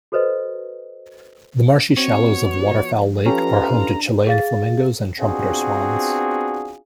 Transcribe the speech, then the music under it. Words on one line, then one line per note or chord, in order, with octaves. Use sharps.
The marshy shallows of Waterfowl Lake are home to Chilean flamingos and trumpeter swans.
F#4 A4 B4 C5 D#5
B3 C4 F#4 C#5
F3
C#4 F4 G4 A4 B4 A#5
D4
G#4 F5 A6
B3 C4 D4 F4 F#4 G#4